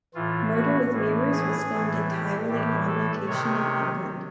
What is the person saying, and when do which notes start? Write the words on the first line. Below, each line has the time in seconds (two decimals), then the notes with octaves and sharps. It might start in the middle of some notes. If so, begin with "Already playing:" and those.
"Murder with Mirrors" was filmed entirely on location in England.
0.14 A2 E3 F4
0.53 F#4
0.92 A2 E3
1.31 G#4
1.71 A2 E3
2.09 G4
2.48 A2 E3 G4
2.87 A4
3.26 C3 D#3 C#5